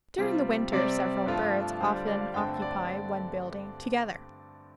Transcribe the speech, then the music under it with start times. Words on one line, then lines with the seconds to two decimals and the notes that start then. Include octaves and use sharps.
During the winter several birds often occupy one building together.
0.18 C3 G3 C4 F4
0.72 C3 G3 C4 D5
1.26 G2 F3 A3 F4
1.81 D3 G3 D4 F4 C5
1.94 D5
2.08 D5
2.21 F5
2.34 G2 D3 A3 C4 G5
2.62 D5